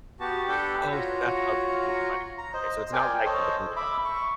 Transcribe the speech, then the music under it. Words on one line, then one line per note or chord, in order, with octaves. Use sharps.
Oh, so that's how it gets peanut buttery. Okay, so it's not regular peanut butter.
B3 F#4 G4 A5
D4 G4 A4 B4 G5
F4 F#4 C#5 A#5
A#5
C5 D#5
A#4 D5 G5 G#5
A4 C5 C#5 D#5
E5 B5 D6 E6
C#6